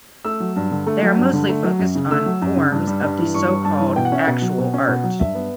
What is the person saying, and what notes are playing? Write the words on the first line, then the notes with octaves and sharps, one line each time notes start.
They are mostly focused on forms of the so-called "actual" art.
A3 E6
F#3
G2
D3
A3
F#3
G2
D3
A3
F#3
F#2
C#3
A3 E6
F#3
F#2
C#3
G2
G3
G2
E3
G2 C#6
G3
G2 A5
E3
B2 G5
F#5
C#4 E5
B2 F#5
F#3
B2
C#4
B2
F#3
G2 E5
B3